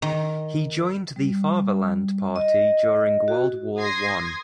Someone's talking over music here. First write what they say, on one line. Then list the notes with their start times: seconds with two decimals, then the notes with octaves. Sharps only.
He joined the Fatherland Party during World War One.
0.02 D#3
1.16 G3
2.36 D#5
3.28 F#4
3.79 C6 D#6 G#6 A#6 C7